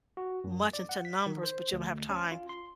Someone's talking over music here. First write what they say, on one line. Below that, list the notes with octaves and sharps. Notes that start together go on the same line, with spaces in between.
much into numbers but you don't have time
F#4
F#2
D5
F#5
B6
D#3
C5
D2
C#4
F4
C6